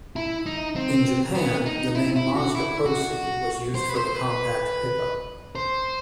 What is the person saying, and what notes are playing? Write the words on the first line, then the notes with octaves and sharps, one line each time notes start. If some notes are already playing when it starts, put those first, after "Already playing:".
In Japan, the name Mazda Proceed was used for the compact pickup.
E4
D#4
C4
B3
D#4
E4
E4
F#4
E4
F#4
C5
B4
C5
C5
B4
C5